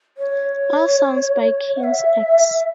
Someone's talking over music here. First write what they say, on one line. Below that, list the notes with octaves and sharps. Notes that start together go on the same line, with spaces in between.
All songs by King's X.
C#5
F#5
E5